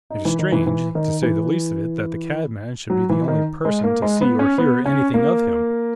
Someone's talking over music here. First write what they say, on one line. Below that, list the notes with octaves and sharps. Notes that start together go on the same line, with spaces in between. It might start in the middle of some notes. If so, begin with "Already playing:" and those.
It is strange, to say the least of it, that the cabman should be the only person to see or hear anything of him.'
D#4
E3
D#3
E3
E3
D#3
E3
F#3
E3
D#3
G#3
A#3
G#3
B3
C#4
B3
C#4
A#3